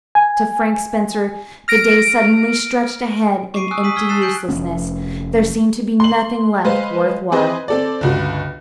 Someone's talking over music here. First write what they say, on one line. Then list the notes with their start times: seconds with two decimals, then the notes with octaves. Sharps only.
To Frank Spencer the days suddenly stretched ahead in empty uselessness--there seemed to be nothing left worth while.
0.15 G#5
1.68 F6 A#6 D7
3.54 C#6 D6 C7 D7 D#7
3.71 G#5 C#6 D#6 E6 F#6 D7
3.83 D#6 B6 D#7 F#7
3.96 E6 F6 G#6 B6 G7
4.09 A5 E6 F#6 A6 C7 E7
4.22 G#5 G6 D7 F#7
4.49 F1 F3 A#3 C#4
6.00 C6 F#7
6.65 G#3 B4 C5 F5
7.32 C4 G#4 B4 C5 D#5
7.68 C4 A4 D5
8.01 G1 C#2 F#4